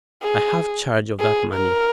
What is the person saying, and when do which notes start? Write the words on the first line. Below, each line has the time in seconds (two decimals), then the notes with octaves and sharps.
I have charge of that money.
0.22 G#4
1.20 G#4
1.53 A#4